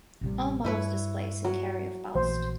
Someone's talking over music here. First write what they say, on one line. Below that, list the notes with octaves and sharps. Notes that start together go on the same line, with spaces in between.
All models displace and carry of ballast.
A1 C3 G3
G2 E4 B4 C#5
F#3
A#1 E3 A3 C5